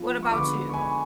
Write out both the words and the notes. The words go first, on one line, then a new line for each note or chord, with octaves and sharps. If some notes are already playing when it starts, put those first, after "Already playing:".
What about you?
Already playing: F3 B3 D4 F4
C#6
D3 G#3 B3 B5 D6
C#6
G#5 B5